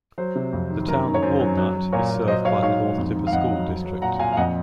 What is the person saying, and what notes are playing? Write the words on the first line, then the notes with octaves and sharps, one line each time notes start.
The Town of Walnut is served by the North Tippah School District.
F#3 C5
C3
F2
D#3
F#2 A#4
D#3
C#5
F#2 C5
F#3
F#3
F#3
A#2 A#4 C#5
A#2
F#3 C5 D#5
F#3 C#5 F5
G#2 C#5 F5
G#2
F2
D#3
F5
F2 D#5 F#5
F#3
F#3
F#3
A#2 F#5 A#5
A#2 F5 G#5
F5
F2 D#5 F#5